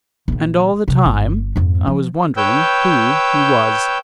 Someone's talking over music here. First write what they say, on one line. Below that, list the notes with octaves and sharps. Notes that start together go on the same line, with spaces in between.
And all the time I was wondering who he was.
A#1 E3
C3 G3
G1
F2 G#2
F3
B4 C#5 G5 E6 G6